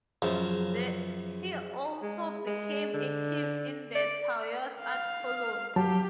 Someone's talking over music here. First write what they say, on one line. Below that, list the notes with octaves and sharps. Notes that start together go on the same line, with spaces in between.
He also became active in the Taos art colony.
F#2 C#3 F3
G#3
G#3
D3
D5
F5
F#3 G4 A5